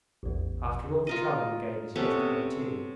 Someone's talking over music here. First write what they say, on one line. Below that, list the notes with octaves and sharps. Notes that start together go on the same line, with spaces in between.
After all the trouble you gave us yesterday too!
A1 E2
F4 A#4 D#5
C3 B3 C#4 A4